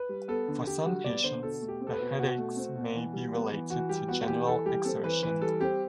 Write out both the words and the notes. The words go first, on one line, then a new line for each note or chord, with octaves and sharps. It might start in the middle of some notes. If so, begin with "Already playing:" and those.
For some patients, the headaches may be related to general exertion.
Already playing: B4
G3
B3 A4
D3
D3 G4
G3 F#4
B3 D5
D3 C5
B2 A4
A3
G4
C4
A4
B4
B2
B2 F#4
A3
C4
B2
E3
G3
B3
E3
E3 F#4
G3 G4
B3 F#4
F#4
E3 G4
E3 A4
G3 G4
C4 A4
E3 B4
E3 B4
G3 A4
C4 G4